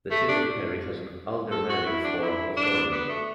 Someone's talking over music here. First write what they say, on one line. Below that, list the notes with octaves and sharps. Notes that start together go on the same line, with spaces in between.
The city of Perry has an aldermanic form of government.
A3
D4
A4
F#4
E4
D4
E4
D4
B3
A3